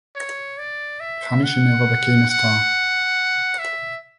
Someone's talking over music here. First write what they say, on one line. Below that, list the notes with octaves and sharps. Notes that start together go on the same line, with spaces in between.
Funny she never became a star.
C#5
D5
E5
F#5
F#5
E5